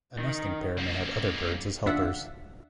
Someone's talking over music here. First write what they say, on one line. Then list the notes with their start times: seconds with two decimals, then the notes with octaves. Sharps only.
A nesting pair may have other birds as helpers.
0.19 D#3
0.78 F#2 A#3
1.86 D#2 D4 F4 E5 F#5